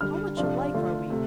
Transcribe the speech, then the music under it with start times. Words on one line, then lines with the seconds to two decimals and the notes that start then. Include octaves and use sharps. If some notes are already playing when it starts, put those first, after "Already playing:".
How much alike are we?
0.01 D3 G3 D4 F6
0.37 C3 F3 D4 F4
0.74 D3 A3 F4
1.10 C3 A3